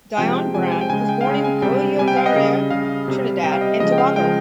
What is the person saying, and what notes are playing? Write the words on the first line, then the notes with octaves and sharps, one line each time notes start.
Dionne Brand was born in Guayaguayare, Trinidad and Tobago.
C3 F3 G#3 G5
C3 F3 G#3 G#5
G5
G#5
G5
C#3 G#3 G#5
G5
F5
C#3 G#3 G5
G#5
C3 G3 G5
C3 G3 G#5
G5
F5
D#5
C#3 G3
C#3 G3 F5
C3 G3
C3 G3 G5
F5
D#5
C#3 F3 G#3 D#5
G5
F5
C#3 F3 G#3 G5